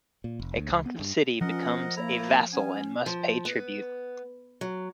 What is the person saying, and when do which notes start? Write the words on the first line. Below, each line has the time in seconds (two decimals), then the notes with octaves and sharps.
A conquered city becomes a vassal and must pay tribute.
0.24 A#2
0.39 F1
0.57 D2
0.70 C#2
0.86 B3
0.99 G2
1.41 F3 C#4 A#4 D#5 F#5
1.96 A#3 E4 A#5
2.53 B3 C#4 G#5
3.06 F3
3.45 B3
4.61 F#3